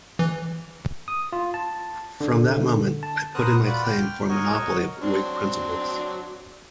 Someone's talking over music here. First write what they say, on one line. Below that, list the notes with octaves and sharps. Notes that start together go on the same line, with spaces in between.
From that moment I put in my claim for a monopoly of Whig principles.
E3
D#6
F4
A5
D3
A5
B3 A#4 C5 A#5 D#6 F#6
F4 F#4 B4 D5 F#5
G5 F6
F#4 A#4 C#5 D#5 C#6
F#3 C4 D4